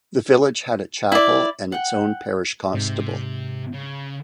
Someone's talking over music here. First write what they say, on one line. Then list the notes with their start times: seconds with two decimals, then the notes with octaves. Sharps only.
The village had a chapel and its own parish constable.
1.12 E4 D5
1.72 F#5 G5
2.74 G#2 C3
3.73 C#3